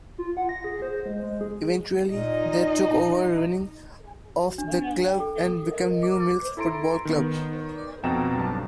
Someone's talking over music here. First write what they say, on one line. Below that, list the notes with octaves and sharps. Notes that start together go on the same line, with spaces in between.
Eventually, they took over running of the club and became New Mills Football Club.
F4
F#5
A#6
G#4
C5
G#3
G#3
G#4
A#2 D#4 D#5
F#4
D4
G5
A4
D#6
A#4
D#5
D6
E4 A4 A#5 C6 D7
D#3 B3
F2 B2 C4 G5 A#5 E7
B1 G2 A5